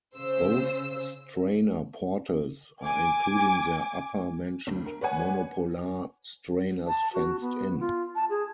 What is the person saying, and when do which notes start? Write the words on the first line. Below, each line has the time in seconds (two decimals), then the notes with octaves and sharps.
Both strainer portals are including their upper mentioned monopolar strainers fenced-in.
0.17 C#3 C5 E6
2.83 G#5 D6
4.67 D2
4.86 A#4
5.01 B4 C#5 D5 F#5 G#5
6.87 A5
7.14 F#4
7.41 B3
7.79 F4
8.15 A5
8.30 G#4